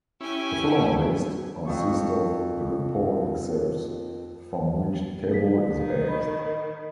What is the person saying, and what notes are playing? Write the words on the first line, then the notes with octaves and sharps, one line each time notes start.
The following list consists of the report excerpts from which the table is based.
C#4 E4 G4 G#5
F2 F3 C#6
B6
D#3
D#5 B5